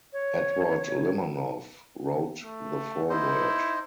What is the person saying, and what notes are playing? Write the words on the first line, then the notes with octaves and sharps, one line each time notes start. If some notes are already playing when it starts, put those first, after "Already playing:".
Edward Limonov wrote the foreword.
C#5
A3
D#4 E4 C5